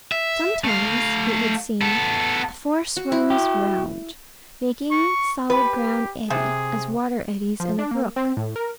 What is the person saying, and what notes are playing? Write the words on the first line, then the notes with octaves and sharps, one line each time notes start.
Sometimes, it would seem, the force runs round, making the solid ground eddy, as water eddies in a brook.
E5
A3 F5
B3 A4
F#4
E4
F#4 G5
C#6
G4 B4
C3 G#4
F3
D4
A#3
C4
A2
A#4